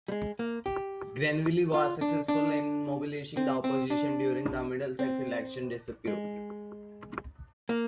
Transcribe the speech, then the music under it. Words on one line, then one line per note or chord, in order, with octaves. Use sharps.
Grenville was successful in mobilising the opposition during the Middlesex election dispute.
G3
G#3
A#3
G4
F4
D4
D4
C4
C4
D4
C4
G#3
A#3